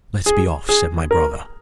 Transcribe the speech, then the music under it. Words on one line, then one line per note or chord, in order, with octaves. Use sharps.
Let us be off,' said my brother.
G#4
G#4
A#4